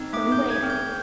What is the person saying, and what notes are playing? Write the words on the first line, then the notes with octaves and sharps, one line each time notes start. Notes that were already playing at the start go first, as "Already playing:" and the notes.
some people hate it.
Already playing: C4 D#4
A3 D6
G6
G#4
G#6
C4
G6